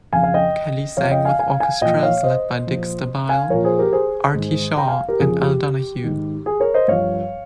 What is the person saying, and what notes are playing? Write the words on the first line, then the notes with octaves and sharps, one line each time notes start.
Kelly sang with orchestras led by Dick Stabile, Artie Shaw, and Al Donahue.
F2 C#3 F3 F5 G#5
F5
D#5 G5
F2 C#3 F3 C#5 F5
D#5 G5
F5 G#5
F5 G#5
F5 G#5
A#2 F3 D#5 G5
C#5 F5
C5 D#5
A#2 F3
F5 G#5
A#2 F3 A#4 C#5
G#4 C5
G4 A#4
G#4 C5
G#2 D#3
G5 A#5
F5 G#5
G4 A#4
F2 C#3 F3 G#4
G4
G#2 D#3
G#4
A#4 C#5
C5 D#5
G2 F3 C#5 F5